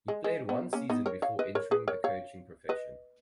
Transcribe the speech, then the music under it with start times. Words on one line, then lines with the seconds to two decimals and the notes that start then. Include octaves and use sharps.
He played one season before entering the coaching profession.
0.08 G#3
0.24 G#3
0.49 B3
0.73 A#3 C#4
0.90 B3 D#4
1.06 A#4 C#5
1.22 C#5 F5
1.39 B4 D#5
1.55 A#4 C#5
1.71 G#4 B4
1.88 A#4 C#5
2.04 C#5 F5
2.69 B4 D#5